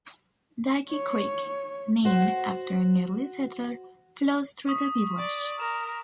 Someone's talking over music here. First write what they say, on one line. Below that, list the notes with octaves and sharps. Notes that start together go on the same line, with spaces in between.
Dyke Creek, named after an early settler, flows through the village.
C#5
F#4 C5
C#6 D#6 B6
D5
A#4 D#6 E7